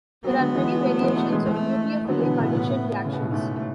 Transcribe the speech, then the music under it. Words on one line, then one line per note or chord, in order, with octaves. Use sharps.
There are many variations of nucleophilic addition reactions.
F#3 B3
G#3
D3 F#3
E3 G#3
G#3
F#3 A3
E3 G#3
F#3 A3
E3 G#3
A3
D3 F#3 B3
E3
B2 D3
A2 C#3
A2
A2
C#3
B2
A2
G#2 A3